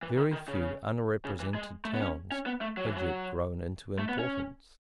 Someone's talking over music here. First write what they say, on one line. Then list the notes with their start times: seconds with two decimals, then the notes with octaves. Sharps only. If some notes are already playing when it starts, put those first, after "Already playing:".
Very few unrepresented towns had yet grown into importance.
0.02 E3
0.17 D#3
0.33 D#3
0.48 C#3
1.25 C#3
1.40 E3
1.55 G#3
1.85 A3
1.94 B3
2.01 C#4
2.32 C#4
2.46 B3
2.61 A3
2.77 F#3
2.87 E3
2.97 F#3
3.98 A3
4.09 B3
4.19 C#4